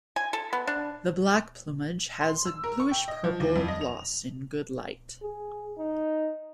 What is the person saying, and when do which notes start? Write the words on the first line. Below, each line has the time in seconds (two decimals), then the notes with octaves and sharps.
The black plumage has a bluish-purple gloss in good light.
0.16 G#5
0.33 A4
0.53 B3
0.67 D4
2.21 C6
2.45 E6
2.64 A#4
2.80 C#6
2.91 G5
3.08 D#5
3.24 F3
3.40 D#2
3.56 F2
3.68 D#5
3.81 F7
5.22 G#4
5.78 D#4